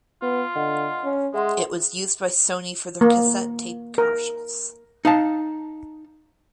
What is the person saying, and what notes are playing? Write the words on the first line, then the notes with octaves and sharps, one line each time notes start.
It was used by Sony for their cassette tape commercials.
B3 F4
D3 D#5 F#5
C#4
G#3 G#4 E5 F#5 C6
A#3
A#4
D#4 F5 A5